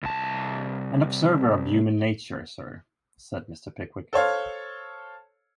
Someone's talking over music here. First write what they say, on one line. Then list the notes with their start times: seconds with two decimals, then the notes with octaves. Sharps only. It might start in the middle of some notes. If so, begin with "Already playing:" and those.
'An observer of human nature, Sir,’ said Mr. Pickwick.
0.03 C2 A5
4.13 A4 C5 C#5 F5